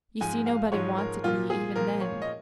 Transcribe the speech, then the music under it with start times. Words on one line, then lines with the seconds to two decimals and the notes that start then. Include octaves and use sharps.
You see, nobody wanted me even then.
0.21 G#2 F3 G#3 G#5
0.46 F5
0.72 G#2 F3 G#3 C#5
0.98 A#4
1.23 A#2 F3 A#3 F4
1.50 G#4
1.76 A#2 F3 A#3 A#4
2.01 C#5
2.22 D#5